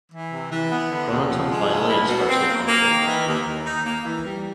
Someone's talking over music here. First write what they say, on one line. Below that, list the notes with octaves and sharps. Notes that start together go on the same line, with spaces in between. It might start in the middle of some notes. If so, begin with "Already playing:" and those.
Pronotum finely and sparsely punctured.
E3
C3
E3
B3
D3
D#2
F3
G#3
D2
E4
B2
C4
A#3
A#3
D#3
E3
D#2
D#2
D#4
A#3
E3
G3